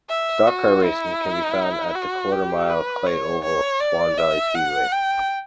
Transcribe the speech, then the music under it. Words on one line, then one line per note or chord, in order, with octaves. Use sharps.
Stock car racing can be found at the quarter-mile clay oval Swan Valley Speedway.
E5
F#4
E4
F#4
G4
B4
C#5
C#5
D5
E5
F#5
G5